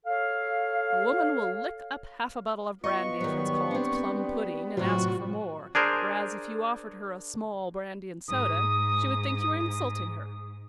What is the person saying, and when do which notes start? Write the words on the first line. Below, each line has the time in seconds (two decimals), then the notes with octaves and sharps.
"A woman will lick up half a bottle of brandy if it's called plum-pudding, and ask for more, whereas if you offered her a small brandy-and-soda, she would think you were insulting her."
0.06 A4 C#5 F5
2.84 B3 F4 D#5 C#6
3.20 D#3 F#3 G3
3.71 C4 D4
4.77 A2 C3 F#3 F4 F#4
5.75 D4 G#4 A#4 C5
8.28 G#2 D#6